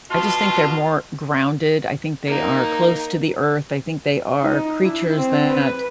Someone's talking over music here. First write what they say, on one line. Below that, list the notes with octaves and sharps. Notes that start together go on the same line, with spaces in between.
I just think they're more grounded, I think they are close to the Earth, I think they are creatures that
B2 F4 A5
A#3 D#4
D#4
D4 E4
C4
B4